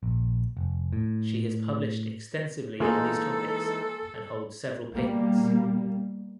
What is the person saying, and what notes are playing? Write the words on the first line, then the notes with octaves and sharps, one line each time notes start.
She has published extensively on these topics and holds several patents.
A#1
F1
A2
E3 G#3 A#3 D#4 F4 G#4 A4
B2 G3 A#3